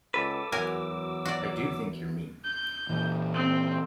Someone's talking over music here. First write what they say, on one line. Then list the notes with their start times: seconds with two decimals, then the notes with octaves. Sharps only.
I do think you’re mean.
0.14 C#2 A4 B4 D6 E6
0.52 E2 F#3 F#4 A#4 G#5
1.25 F#4 D5
2.45 G6
2.89 A#2 E3
3.34 C4